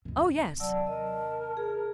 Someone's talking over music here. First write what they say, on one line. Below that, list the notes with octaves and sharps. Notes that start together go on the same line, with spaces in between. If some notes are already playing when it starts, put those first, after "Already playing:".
Oh, yes.
D#2 C3
F#3 D5 A5 E6
A#4 D#5
G#4